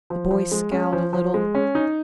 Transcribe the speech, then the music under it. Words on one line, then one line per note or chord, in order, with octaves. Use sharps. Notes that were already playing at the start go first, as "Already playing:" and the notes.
The boy scowled a little.
F3
F3
G#3
C#4
F3
F3
G#3
C#4
D#4